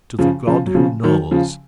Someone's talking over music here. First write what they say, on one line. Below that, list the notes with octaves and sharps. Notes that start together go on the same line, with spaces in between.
To the god who knows.
C#3 F3
C#3 F3
F#3
C#3 F3
D#3 F#3
C#3 F3